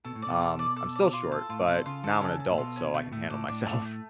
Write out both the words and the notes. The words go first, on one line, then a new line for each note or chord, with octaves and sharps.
um, I'm still short, but now I'm an adult, so I can handle myself.
B2 A4
A2
B2 D5
A4
D5
A4
D5
F4
A4
A2 F4
B2 A4
C#3 F4
D3 A4
C#3 C#4
A4
A2
B2 F4
C#4
B2 A3
A2 A3
A2 D4
A2 D4
A2 A3
A3